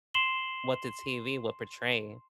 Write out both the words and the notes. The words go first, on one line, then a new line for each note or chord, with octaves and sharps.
what the TV would portray.
C6 C7 E7 F#7 G7